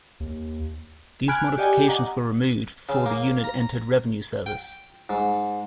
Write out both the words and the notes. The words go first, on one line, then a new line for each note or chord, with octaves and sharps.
These modifications were removed before the unit entered revenue service.
D#2
G#5 B5 F6 F#6 G#6 D7
G4 D5 D#5 G5 G#5
D#5 F#5 A#5 D6
C#3
A#3
A#5
G5
G#2